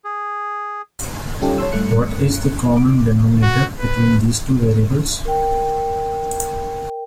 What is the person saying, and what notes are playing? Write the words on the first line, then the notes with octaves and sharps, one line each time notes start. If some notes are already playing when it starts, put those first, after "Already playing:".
What is the common denominator between these two variables?
G#4
G3 C#4 D#4 F4 G4 A4
C#5 A5 C6 E6
G2 A3 F#6 C#7
D6
F#4
B4
A#4 G5